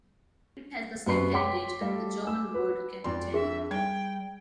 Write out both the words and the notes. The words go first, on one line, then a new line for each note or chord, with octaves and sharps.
It has the same heritage as the German word “Kapitell”.
F#2 C3 B4 D5 C#6 C7
C#5 G5 C6 D6 B6
G3 A3 A4 D5 F5
G#5 E6
F#4 B4
F2 D5 C6
D4 G#4 E5
G3 G5 G#6